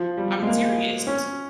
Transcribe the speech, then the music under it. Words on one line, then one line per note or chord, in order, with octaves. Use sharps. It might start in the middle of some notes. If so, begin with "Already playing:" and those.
I'm serious.
Already playing: F3
G3
G#3
A#3
C#4